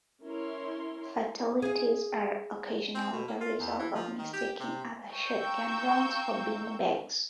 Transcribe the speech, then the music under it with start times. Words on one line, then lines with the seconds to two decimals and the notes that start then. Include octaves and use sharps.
Fatalities are occasionally the result of mistaking other shotgun rounds for bean bags.
0.23 C#4 E4 A#4 C#5 C6
1.62 G#4 F5
2.95 C4
3.13 B2
3.28 A#3
3.41 F4
3.60 E2
3.79 E3
3.95 F3
4.18 D#3
4.33 G4
4.60 C3
5.13 F5 G5 A#5 C#6 E6 G6